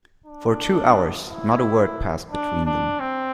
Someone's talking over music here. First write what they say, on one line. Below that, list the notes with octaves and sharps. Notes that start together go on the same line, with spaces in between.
For two hours not a word passed between them.
D4
E4
D4
D4
C4